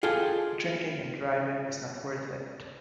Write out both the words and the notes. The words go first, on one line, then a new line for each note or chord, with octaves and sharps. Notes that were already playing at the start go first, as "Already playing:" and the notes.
Drinking and driving is not worth it.
F4 G#4 A4 D#5 G5